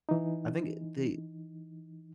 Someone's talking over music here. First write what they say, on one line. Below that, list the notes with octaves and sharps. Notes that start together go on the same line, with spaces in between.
I think, eh, they
E3 D#4